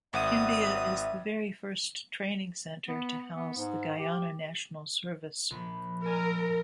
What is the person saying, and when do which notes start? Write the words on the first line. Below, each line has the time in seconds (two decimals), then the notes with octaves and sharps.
Kimbia is the very first training center to house the Guyana National Service.
0.13 G#1 E5 F#5 D#6 D#7
2.88 B3
3.36 B3
3.57 G#2
3.99 G4
5.50 A#1 F3 B5
6.04 A#4 D5 G#5 E6